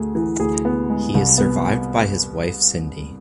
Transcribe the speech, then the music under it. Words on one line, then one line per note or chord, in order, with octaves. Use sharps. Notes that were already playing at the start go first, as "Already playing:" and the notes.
He is survived by his wife Cindy.
Already playing: D2 A3 G#4
E3
D2 G#4
B3
G#3
C2
B3